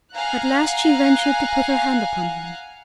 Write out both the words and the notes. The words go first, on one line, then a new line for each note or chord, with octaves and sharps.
At last she ventured to put her hand upon him.
F5 F#5 G#5 A#5 F#6